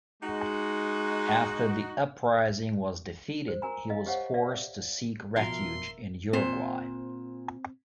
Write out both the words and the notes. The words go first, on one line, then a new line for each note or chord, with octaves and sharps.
After the uprising was defeated, he was forced to seek refuge in Uruguay.
G#3 D#4 F#4
C5
F#4 A#4 G#5 A#5
D#5 F5
G4 C5 C#5 F5 F#5
D5 E5 F5
E5
B2 F3 A#4 E5 F5 C6
A#2 C4 C5